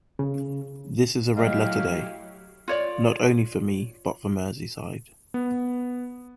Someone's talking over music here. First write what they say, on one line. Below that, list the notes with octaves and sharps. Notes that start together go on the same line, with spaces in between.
This is a red letter day, not only for me but for Merseyside.
C#3
A2 F#3 A3 E4 G4 D#5 F5
F4 C#5 D5
B3